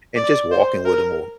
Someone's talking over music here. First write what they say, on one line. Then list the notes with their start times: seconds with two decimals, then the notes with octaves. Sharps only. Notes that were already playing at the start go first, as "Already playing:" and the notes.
and just walking with 'em, or
0.16 D5
0.52 C5
0.85 A#4